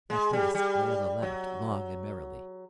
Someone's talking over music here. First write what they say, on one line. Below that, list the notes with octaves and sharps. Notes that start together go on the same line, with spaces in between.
At this Layelah laughed long and merrily.
G#3
G3
G3
F#3